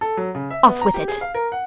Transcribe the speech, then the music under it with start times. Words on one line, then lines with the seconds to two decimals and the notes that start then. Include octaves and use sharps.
Off with it.
0.01 A4
0.17 F#3
0.35 C#3
0.50 E5
0.67 B3
0.81 A#5
0.94 G4
1.08 G#4
1.21 F5
1.34 A#4
1.52 F#5